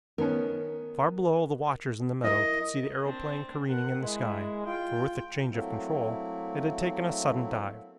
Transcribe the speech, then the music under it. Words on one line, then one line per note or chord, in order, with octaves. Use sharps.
Far below the watchers in the meadow could see the aeroplane careening in the sky, for with the change of control it had taken a sudden dive.
D#3 B3 C#4 A#4
E4 A#4 D#5
C4 D4
A#4 F#5
G#3 E4 G#4
F4 G5
F#3 A3 A#3 C4 E4